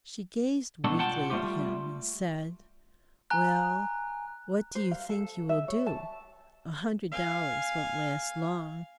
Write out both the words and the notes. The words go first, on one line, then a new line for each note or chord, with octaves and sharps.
She gazed weakly at him and said: "Well, what do you think you will do? A hundred dollars won't last long."
B2 A3 D4 A4
F4 F#5 G5 A5
G3 A3 F4 G4
G#5 A#5 F#6
C5
F5
A4
E5
C#5
A5
F5 G#5